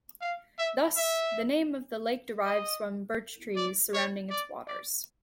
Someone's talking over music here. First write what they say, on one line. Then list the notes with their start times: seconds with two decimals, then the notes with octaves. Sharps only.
Thus, the name of the lake derives from birch trees surrounding its waters.
0.21 F5
0.59 E5
0.96 E5
2.44 D#5
3.56 D5
3.94 C#5
4.30 D5
4.68 D5